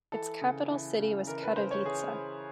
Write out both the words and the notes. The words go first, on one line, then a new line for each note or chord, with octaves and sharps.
Its capital city was Katowice.
E3 A4
C#3
E3
C#3
E3 A#4
B4
C#3 C5
C#5
E3 G#4
E3